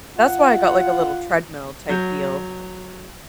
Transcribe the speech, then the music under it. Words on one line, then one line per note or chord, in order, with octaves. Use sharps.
that's why I got, like, a little treadmill type deal.
F4 F#5
F#3 G6